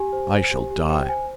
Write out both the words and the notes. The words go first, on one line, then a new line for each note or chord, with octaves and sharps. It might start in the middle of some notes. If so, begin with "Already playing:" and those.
I shall die!
Already playing: G4 G#5
C5
C5
G4
G4
C5 G5
C5 G#5